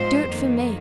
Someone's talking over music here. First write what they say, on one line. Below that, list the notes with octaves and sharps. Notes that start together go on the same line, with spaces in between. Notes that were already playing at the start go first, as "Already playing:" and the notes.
Do it for me....
Already playing: G#2 F3 G#3 C4 C5
F2 D#3 A#3